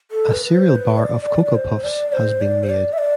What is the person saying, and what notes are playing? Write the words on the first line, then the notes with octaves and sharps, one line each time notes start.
A cereal bar of Cocoa Puffs has been made.
A4
B4
B4
C5
B4
D5
D5
D5
C5
D5
C5
D5
C5
D5
E5
D5